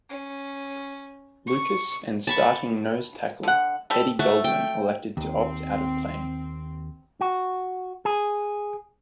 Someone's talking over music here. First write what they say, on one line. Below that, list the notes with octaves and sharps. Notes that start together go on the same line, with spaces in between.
Lucas and starting nose tackle Eddie Goldman elected to opt out of playing.
C#4
C#6
A5 B5 C#6
D3 F#5
G3 A4
A3 F#4
G5
D#2 C4
F#4
G#4